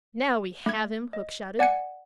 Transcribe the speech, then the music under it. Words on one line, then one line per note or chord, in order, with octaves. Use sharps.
"Now we have him," Hook shouted.
A3 G#6
D#5
D5 F#5 G#5 G#6 C#7